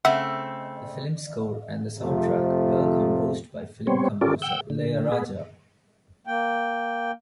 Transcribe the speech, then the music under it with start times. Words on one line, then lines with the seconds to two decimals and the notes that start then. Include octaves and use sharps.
The film score and the soundtrack were composed by film composer Ilaiyaraaja.
0.05 C#3 A3 C4 E5 F#5
2.01 F2 C3 F3 A3
3.87 G3 B3 C4 C5 C#5
4.21 C#4 F4 G4 A4 A#4 D5
4.42 F#5 G5 E6 G6
4.70 D3
5.12 G#4 B4
6.27 A#3 G5